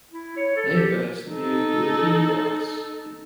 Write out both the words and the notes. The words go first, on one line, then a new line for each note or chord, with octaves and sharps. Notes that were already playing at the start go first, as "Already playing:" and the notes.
Neighbors knew who he was.
E4
C#5
A4
G4
D#4 A4